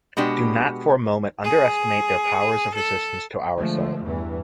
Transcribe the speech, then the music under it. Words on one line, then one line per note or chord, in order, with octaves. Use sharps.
Do not for a moment underestimate their powers of resistance to our assault.
B2 G#3 B3 D4 G4
G#4
A4
D3 F3 G#3 A3
E2 G2 E3